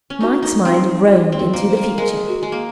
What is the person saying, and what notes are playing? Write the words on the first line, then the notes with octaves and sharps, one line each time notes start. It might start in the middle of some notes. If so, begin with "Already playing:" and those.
Mike's mind roamed into the future.
C#4
D#4 F#4
D#4
C4 F4
F4
C4
F#4
A#3
C5
A#3
G#3 A#4
F#4
G#3
A#3